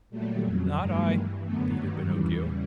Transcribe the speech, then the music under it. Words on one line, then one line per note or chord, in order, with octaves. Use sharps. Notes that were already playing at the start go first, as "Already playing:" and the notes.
"Not I," repeated Pinocchio.
A#2 F#3 G3 A3
F2 C#3 F#3
G2 D#3 F#3 G#3 A#3
G2 E3
F#2 D3 F#3 A3 B3
G2 D#3 F#3 G3 A3
E2 C#3 E3 G3